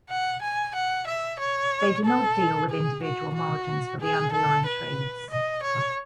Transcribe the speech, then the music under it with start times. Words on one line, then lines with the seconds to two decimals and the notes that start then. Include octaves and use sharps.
They do not deal with individual margins for the underlying trades.
0.09 F#5
0.42 G#5
0.75 F#5
1.07 E5
1.39 C#5
2.05 A4
2.70 G#4
3.03 F#4
3.35 F#4
4.00 G#4
4.32 A4
4.66 B4
5.30 D#5
5.62 C#5